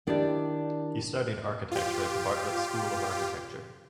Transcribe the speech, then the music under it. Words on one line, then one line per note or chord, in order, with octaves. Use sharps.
He studied architecture at the Bartlett School of Architecture.
D#3 D4 E4 G4 C#5 D5
F4 G4